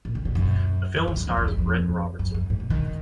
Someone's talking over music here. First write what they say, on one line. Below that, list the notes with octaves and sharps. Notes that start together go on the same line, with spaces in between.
The film stars Britt Robertson.
A#2
D3
B2
F#2
F#2
F2
F#2
F#2
F2
F#2
F2
F#2
F#2
G#2
B2
D#3